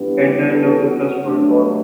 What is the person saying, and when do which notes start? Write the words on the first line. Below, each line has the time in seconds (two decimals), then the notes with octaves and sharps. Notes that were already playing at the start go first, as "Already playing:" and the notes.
At the end of the First World War.
Already playing: G2 E3 B3
0.18 G4
0.53 A4
0.88 F#4
1.23 G2 F#3 A3 D4